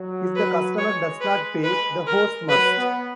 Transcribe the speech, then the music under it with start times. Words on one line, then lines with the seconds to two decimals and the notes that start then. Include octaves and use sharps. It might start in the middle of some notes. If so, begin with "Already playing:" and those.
If the customer does not pay, the host must.
Already playing: F#3
0.36 B4
0.78 G#3 C#5
1.21 B4
1.63 B4
2.07 A#4
2.49 F#3 B4
2.77 B3